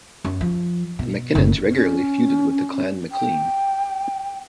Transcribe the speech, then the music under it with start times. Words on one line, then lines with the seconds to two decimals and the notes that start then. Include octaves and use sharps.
The Mackinnons regularly feuded with the Clan Maclean.
0.25 F#2
0.41 F3
0.99 B2
1.34 F#1 B1
1.72 C#4
3.12 G5